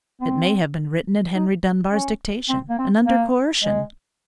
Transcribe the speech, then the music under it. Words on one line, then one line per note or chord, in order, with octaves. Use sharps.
It may have been written at Henry Dunbar's dictation, and under coercion.
C4
D#4
C#4
C4
A#3
C4
A#3
G#3